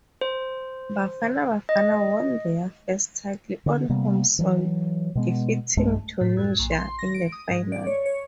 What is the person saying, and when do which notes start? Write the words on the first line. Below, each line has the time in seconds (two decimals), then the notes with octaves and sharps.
"Bafana Bafana" won their first title on home soil, defeating Tunisia in the final.
0.21 C5
1.69 D#5
3.66 D3
3.89 C3 G3 A#3 B3
4.39 E3 F#3
5.15 B2 G#3 B3
5.77 B1 G2 G#3 A3
6.21 A2
6.37 F#2
6.59 A#1
6.72 C6
6.99 A#6
7.14 D7
7.32 D#6
7.51 G#2
7.72 D5
7.87 C#5
8.06 C#5